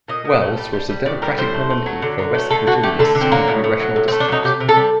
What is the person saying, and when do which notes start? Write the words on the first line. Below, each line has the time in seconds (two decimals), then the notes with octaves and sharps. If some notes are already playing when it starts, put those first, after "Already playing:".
Wells was the Democratic nominee for West Virginia's Second Congressional District.
0.08 A#2 D#5
0.25 A#2
0.41 A3
0.57 G3
0.73 G3
0.90 G3
1.06 A2 D5
1.22 G3 A#4
1.38 A2 C5
1.54 A3
1.70 A3
1.86 F#3
2.02 D3
2.19 F#3
2.35 A3
2.50 D3 A4
2.67 D3 F#4
2.83 A3 G4
2.99 D3 A4
3.15 D3
3.21 C4
3.31 F#3 A#3
3.48 A2
3.64 A2
3.80 F#3
3.96 A2
4.08 C4
4.12 A3
4.20 D4
4.28 F#3 D#4
4.44 C3 G4
4.60 C3
4.69 A4
4.77 G3